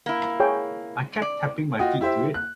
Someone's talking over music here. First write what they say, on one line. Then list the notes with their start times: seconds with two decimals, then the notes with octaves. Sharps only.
I kept tapping my feet to it.
0.06 A#3 E4
0.40 G#4 C#5 G5
1.22 D5
1.79 F4 F#4 D#5 G5
2.01 E4 G4 C5 E5
2.34 F#6